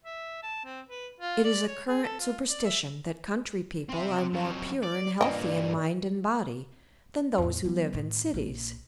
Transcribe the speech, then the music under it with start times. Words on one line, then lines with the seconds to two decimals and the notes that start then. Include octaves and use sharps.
It is a current superstition that country people are more pure and healthy in mind and body than those who live in cities.
0.04 E5
0.43 A5
0.65 C4
0.89 B4
1.20 F4
1.44 D5
1.67 C#5
1.86 G#4
2.03 A4
2.20 F4
2.49 D5
2.65 E5
3.89 C4 E5
4.33 F2 F#3
4.83 D5
5.21 G2 A#2 A#3 B4 D5 D#5 G5
7.38 E2 A2
7.64 F#3 B3
7.93 A2 D#3
8.34 A#1